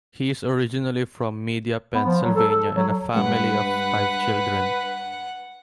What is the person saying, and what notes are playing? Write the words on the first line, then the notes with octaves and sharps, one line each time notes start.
He is originally from Media, Pennsylvania and a family of five children.
B3
F3
F#3
A4
A4
F#3
G2 G#3 B4 F#5